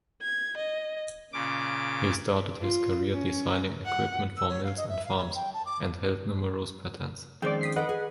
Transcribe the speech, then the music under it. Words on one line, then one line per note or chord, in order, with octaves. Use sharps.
He started his career designing equipment for mills and farms, and held numerous patents.
G#6
D#5
A#2 C#3 D6
F4
C#4
F#5
E6
C#5
F5
D#5
E5
F5
C#5
G5
A5
D6
F2 D#3 G#3 C#4 C5 D5 G5
D#6 B6 C7
A4 B4 D#5 F#5 G5
G#4